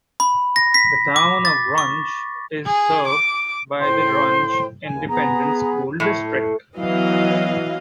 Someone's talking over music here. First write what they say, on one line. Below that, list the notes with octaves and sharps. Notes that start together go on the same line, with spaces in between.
The Town of Runge is served by the Runge Independent School District.
B5
A#6
B6
D6
A6
C#6
G#4
D6
A2 C5 G5 C6
D#2 G#5
B3 G#4 A#5
A2
E3 F#3 B3 D#5 F5